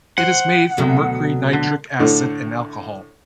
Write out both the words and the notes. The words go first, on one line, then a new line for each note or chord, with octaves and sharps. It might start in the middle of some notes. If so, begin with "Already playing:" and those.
It is made from mercury, nitric acid and alcohol.
C5 F#5
D2 B2 F#3
D3
A2 D3